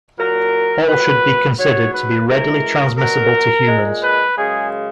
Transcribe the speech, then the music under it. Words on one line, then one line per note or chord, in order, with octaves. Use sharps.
All should be considered to be readily transmissible to humans.
A#2 F#3 A#4
A#2 F#3 B4
G#2 F#3 C#5
B4
F#2 E3 G#3 A#4
B2 F#3 A#4
A#2 G#3
B4
F#2 C#3 G#3 G#4